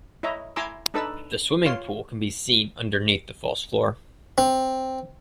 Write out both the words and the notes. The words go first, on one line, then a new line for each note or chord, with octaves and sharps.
The swimming pool can be seen underneath the false floor.
E4 C#5 D#5 E5 A#5
E4 G#5 A#5 C6 D6 E6
D4 D#4 A4 B4 A5 E6
F4 C#5 F5 C6
C4